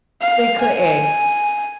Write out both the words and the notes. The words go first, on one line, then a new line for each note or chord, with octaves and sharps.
probably couldn't.
F5
G#5